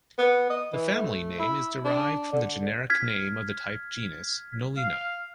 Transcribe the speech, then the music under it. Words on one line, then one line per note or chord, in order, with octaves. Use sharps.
The family name is derived from the generic name of the type genus, "Nolina".
B3
D#5
E3
A3
E4
D4
D3
F6 G#6 B6
F5